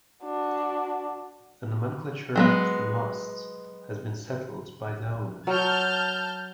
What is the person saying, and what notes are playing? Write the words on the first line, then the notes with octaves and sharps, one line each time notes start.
The nomenclature of the masts has been settled by the owner.
D4 F#4
F#3 G#3 B3
F#3 A5 F6 G6